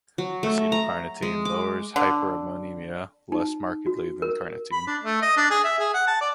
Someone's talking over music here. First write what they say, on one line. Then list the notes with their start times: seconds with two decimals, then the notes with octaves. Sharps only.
Acetyl--carnitine lowers hyperammonemia less markedly than -carnitine.
0.18 F#3
0.43 A3
0.72 A#5
1.22 G#3
1.45 D6
1.96 D3
3.32 D#4
3.86 F#4
4.22 A#4
4.72 B5
4.87 D4
5.03 A3
5.22 D#5
5.37 D4
5.51 G#4
5.64 E5
5.79 G#4
5.94 F#5
6.07 A5
6.21 D5